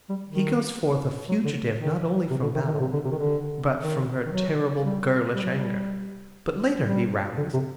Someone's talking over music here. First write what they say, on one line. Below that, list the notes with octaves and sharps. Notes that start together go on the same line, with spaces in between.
He goes forth a fugitive not only from battle, but from her terrible girlish anger. But later he rallies.
G3
D#3
F#3
D3
D#3
C3
D3
D#3
D#3
D3
C3
D3
C3
D#3
D3
D#3
D#3
F#3
G3
G3
F#3
G3
G3
D3
C3